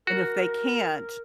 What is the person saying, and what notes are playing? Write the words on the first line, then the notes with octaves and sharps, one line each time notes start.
And if they can't
F#4 A#4